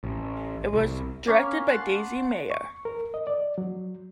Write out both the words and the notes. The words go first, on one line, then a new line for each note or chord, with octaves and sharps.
It was directed by Daisy Mayer.
A1
C2
A#3 C#4 C#5
F#5 A5 C6
C#6
A#4
D#5
D5
F#3